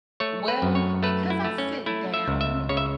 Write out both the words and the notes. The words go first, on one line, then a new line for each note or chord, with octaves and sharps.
Well, because I sit down
A3 C#5
B4
F#2
C#5
A3 B4
E4
A3
C#4
A3 E4
E5
C#2
E5
C#3 C#5
E5